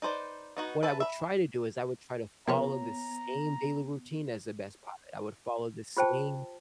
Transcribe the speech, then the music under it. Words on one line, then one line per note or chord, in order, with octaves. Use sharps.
what I would try to do is I would try to follow the same daily routine as the best pilot, I would follow the same
D#4 B4 C5 D5
B3 D#4 F#4
B4 E5 A5
E5 B5
C3 F3 A#3 B3 F4 B4 C#5 A#5
F4 G4 C5 G5 A5